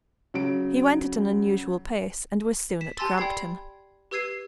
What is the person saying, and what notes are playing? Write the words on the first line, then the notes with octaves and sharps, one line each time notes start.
He went at an unusual pace, and was soon at Crampton.
C#3 F#3 D7
B6 E7
G4 G#5 A5 C6 E6 A6
D5 G5 B5 G#6 C7
G4 B4 E6 G#6 C7 D#7